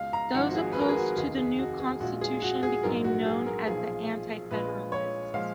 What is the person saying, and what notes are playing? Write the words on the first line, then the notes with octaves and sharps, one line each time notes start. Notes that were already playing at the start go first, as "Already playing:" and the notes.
Those opposed to the new Constitution became known as the "Anti-Federalists".
Already playing: C#2 B2 G#3 F5
A#5
G#1 G#2 F3 F#5
F#4
G#4
B4
A#4
G#4
F#4
F1 D#2 D#3 G#4
G#4
F#4
G#4
A#1 A#2 G#3 F#4
G#4
F#4
G#4
A#1 G#2 F#3 A#4
F#4
G#4
A#4
B1 A#2 F3 G#4
A#1 A#2 G#3 B4
C#5
A#2 F3 G#3 F5